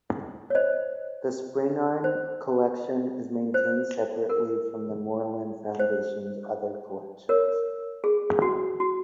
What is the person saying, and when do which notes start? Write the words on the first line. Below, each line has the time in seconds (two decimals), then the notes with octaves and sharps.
The Spingarn Collection is maintained separately from the Moorland Foundation's other collections.
0.50 C#5
0.55 C5 D#5
2.04 C5
3.54 C5
4.29 A#4
5.79 C5
7.29 A#4 C#5
8.04 G#4
8.42 F#4
8.80 F#4